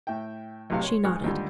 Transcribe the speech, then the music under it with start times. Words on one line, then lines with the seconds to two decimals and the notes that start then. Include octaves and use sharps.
She nodded.
0.07 A2 E5 G5
0.70 B1 A2 C3 F5
0.84 C#5 C6
1.04 G#1 D2 G#3 C#6 F6 F#6
1.24 D#2 G#2 D3 G3 F4